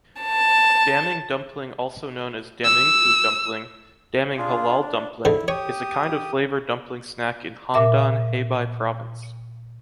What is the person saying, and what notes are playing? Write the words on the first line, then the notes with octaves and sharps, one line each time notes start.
Daming dumpling also known as Damingfu dumpling, Daming Halal dumpling, is a kind of flavor dumpling snack in Handan, Hebei Province.
A5
E6
D4 F4 G#4
D4
G#2 D3 E4
G4 C#5 D#6
A#2 A#4 E5 D6